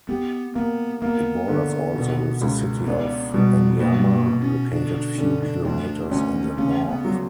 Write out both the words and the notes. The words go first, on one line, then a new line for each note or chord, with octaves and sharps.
It borders also with the city of Anyama, located few kilometers in the north.
B3 G4
A#3 B3
A#3 B3
D3
B2
C#2
B3 D4
B2 G3
B2 A#3
F#3
G3
A#3
B2
C#4
D3 D4
D4
D3 C#4
D4
D2 D4
D2 C#4
C#3 C#4
B3
F#3